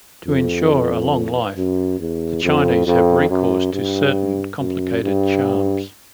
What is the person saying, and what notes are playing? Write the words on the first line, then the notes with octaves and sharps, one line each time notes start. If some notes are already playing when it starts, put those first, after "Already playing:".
To ensure a long life the Chinese have recourse to certain complicated charms.
F2
F#2
E2
F2
F2
F#2
G2
F#2
G2